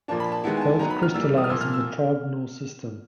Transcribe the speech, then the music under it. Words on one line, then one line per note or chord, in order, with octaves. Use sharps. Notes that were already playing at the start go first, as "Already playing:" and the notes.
Both crystallize in the trigonal system.
A#2 F3 A#3 D4 A5
B5
A5
D#3 G#3 B3 E4
G#5
A5
D#3 F#3 B3 A#5
B5
F6
E3 G3 A#3 E6
D#6
F6
A#2 F3 A#3 E6
F6
E6